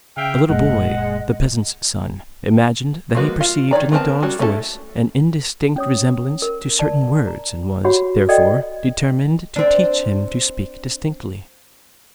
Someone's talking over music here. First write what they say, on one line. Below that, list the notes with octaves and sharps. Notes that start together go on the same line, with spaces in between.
A little boy, the peasant's son, imagined that he perceived in the dog's voice an indistinct resemblance to certain words, and was, therefore, determined to teach him to speak distinctly.
C#3 E5 F5 G5
F#1 A#2 G#3 D#5 F#5
F3 G#3 A#3 B3 F#4
F4
D#3 C#5 D5 A#5
B3 C4 A#4 D5 A5
G3 C#4 F#4
A3 C#4 D4 E4 A4
C#4 C#5 D#6
A#4
D5 A5
A#5
F#4 G4 C#5 F#5 B5
A4 D5 D#5 F#5 G5
C4 D4